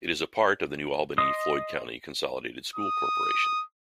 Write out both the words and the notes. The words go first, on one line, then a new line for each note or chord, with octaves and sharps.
It is a part of the New Albany-Floyd County Consolidated School Corporation.
D#5 C6 D#6
D#6